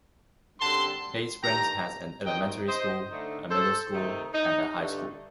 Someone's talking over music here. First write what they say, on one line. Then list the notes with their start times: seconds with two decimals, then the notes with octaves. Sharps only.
Hay Springs has an elementary school, a middle school, and a high school.
0.59 F#2 D3 G3 C4 A5 C6
1.42 G2 D#3 A3 G5 A#5
2.25 D#3 F#3 C4 D#4 D#5 G5
2.68 C5 D#5
3.09 D3 A3 D#4
3.50 A4 C5
3.92 C3 D#3 A3 D#4
4.34 D#4
4.75 G2 D3 A3